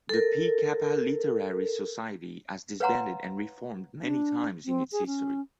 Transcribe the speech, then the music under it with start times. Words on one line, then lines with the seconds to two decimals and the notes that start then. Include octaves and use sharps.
The Phi Kappa Literary Society has disbanded and reformed many times in its history.
0.09 A4 A#4
2.80 B4 C#5 F5 F#5 A#5 C6
4.02 D4
4.65 C4
4.92 G#4
5.07 C#4